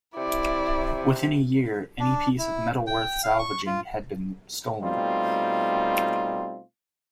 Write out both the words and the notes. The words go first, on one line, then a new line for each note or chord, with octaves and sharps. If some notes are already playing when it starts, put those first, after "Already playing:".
Within a year, any piece of metal worth salvaging had been stolen.
C3 E4 D5
D4
E4
G5
F5
C#6
F4
B2 G3 A3 C4 D#4 F4